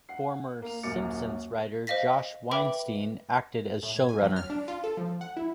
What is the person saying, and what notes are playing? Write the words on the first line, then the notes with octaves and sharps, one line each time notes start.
Former "Simpsons" writer Josh Weinstein acted as showrunner.
F#5 C7
A#3 F7
D#1 F#2 A#3 D6 A6 C#7
C5 D#5 F5 A#6 B6
B4 E5 G5 B5 D6
A2
G#6
G#5
F#3
F6
D4
F4
A4
F3
F#5
E4